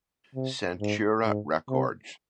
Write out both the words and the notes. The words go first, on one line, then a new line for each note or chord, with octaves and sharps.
Centaur Records.
C3
G#2
G#2
C3